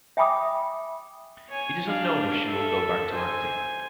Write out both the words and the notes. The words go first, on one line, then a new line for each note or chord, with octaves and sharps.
It is unknown if she will go back to acting.
E5 G5 G#5 B5 D6 D#6
C#5 G#5
D4 F5
A4 E5
C5 G#5